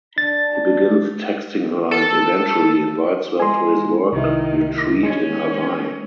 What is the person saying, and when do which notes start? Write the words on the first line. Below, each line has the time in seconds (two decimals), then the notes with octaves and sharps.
He begins texting her and eventually invites her to his work retreat in Hawaii.
0.18 D4 A6
1.91 A4
3.40 G#3 G#5 C6
4.12 C2 D#3 E4
5.03 G#3 C#4